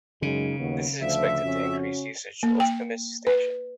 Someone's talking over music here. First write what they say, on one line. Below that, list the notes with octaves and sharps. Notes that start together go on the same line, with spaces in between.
This is expected to increase usage of Pimisi station.
F#2 C#3 G#3 D#4
D#2 F#3 B3
D2 F3 E5
F2 C#4 F#4
A#3
G5
B4